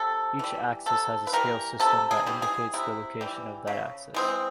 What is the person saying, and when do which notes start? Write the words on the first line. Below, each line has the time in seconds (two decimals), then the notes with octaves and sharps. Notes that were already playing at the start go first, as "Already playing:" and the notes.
Each axis has a scale system that indicates the location of that axis.
Already playing: C3 A4
0.39 E3 G3
0.86 C3 A4
1.27 B4
1.33 E3 G3 A#4
1.80 C3 A4
2.11 G#4
2.26 E3 G3
2.42 G#4
2.74 C3 E4
3.21 E3 G3
3.67 C#3
4.14 E3 G#3 C4